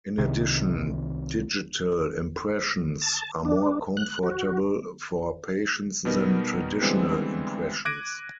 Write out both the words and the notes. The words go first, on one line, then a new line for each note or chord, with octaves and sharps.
In addition, digital impressions are more comfortable for patients than traditional impressions.
C2 C3 D#3
A5
D4
F#6
F#4
B2 G3 B3 D#4 A#4
D3 E3 G3 G#3 B3 C4
D6 F#6 G#6 A#6 D7 D#7